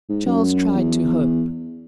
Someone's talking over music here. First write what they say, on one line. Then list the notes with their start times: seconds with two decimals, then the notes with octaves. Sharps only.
Charles tried to hope.
0.09 G#2
0.26 F#2
0.76 E2